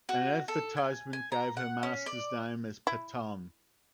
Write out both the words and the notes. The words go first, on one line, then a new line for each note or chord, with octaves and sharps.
An advertisement gave her masters name as Patton.
F#4
A4
G#5
G#5
A#5
F#5
C#4
D5
E4